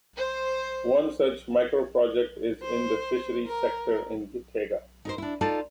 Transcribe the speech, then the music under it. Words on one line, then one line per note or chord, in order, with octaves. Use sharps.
One such micro project is in the fisheries sector in Gitega.
C5
C5
A#4
D#4 A#4 C5
D4 E4
D#4 F4 A4 D5 A5